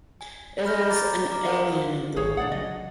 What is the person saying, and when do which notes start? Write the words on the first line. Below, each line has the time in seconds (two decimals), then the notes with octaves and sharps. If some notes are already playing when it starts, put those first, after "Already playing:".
It is inalienable.
0.21 G#5
0.65 B5 F6 G6 A#6
0.88 G#5 A#5 D6 A6
1.31 D5 A#5 D6
1.46 A#4 C5 F5 F#5
2.16 G#1 D#3 G#4 C#5
2.37 A#1 D4 D5 F#5
2.52 C#3 F#3 D#5